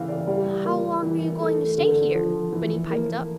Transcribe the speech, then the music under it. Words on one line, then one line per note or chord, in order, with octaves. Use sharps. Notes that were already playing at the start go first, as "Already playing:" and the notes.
"How long you going to stay here?" Benny piped up.
Already playing: C#3 E3 F5 G5
D5
G3
A#3
E3
A3
D3
F3
E3
A#3